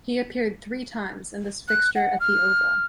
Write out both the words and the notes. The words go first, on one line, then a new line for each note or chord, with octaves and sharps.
He appeared three times in this fixture at the Oval.
F#6
F#5
F6